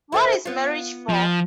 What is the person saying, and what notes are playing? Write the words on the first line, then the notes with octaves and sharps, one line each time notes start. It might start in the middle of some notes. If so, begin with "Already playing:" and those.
What Is Marriage For?
E4 A4 C5
B3 F4
F3